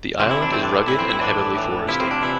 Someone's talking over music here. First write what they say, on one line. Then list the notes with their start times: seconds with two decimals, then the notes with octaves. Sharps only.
The island is rugged and heavily forested.
0.20 C3 E3 C4
0.31 E4
0.42 D4
0.53 A2 E3 C4
0.64 D4
0.87 A2 E3 E4
0.99 C4
1.10 E4
1.21 A2 E3 D4
1.55 A2 E3
1.88 C3 F3 E4
2.00 C4
2.11 D4
2.22 C3 E3 E4